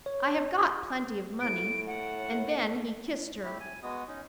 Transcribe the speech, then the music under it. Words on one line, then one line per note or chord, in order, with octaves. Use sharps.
I have got plenty of money.' And then he kissed her.
C#5
A2 D7
F#5
A3 C4 E4 G4
G#5
G#3 B3 F#4 D#6
C#4 D#4